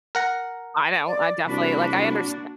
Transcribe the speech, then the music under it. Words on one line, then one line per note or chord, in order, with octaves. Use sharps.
I don't, I definitely, like, I understa
A#4 F#5 A#5
D5
C2 A#3 D4 F#4 B5